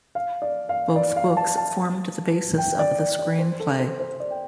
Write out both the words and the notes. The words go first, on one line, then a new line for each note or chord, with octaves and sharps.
Both books formed the basis of the screenplay.
F5
D5
F5
D5
F5
A5
A5
G5
D5
D5
D5
C5
A4
C5
C5
D5
G5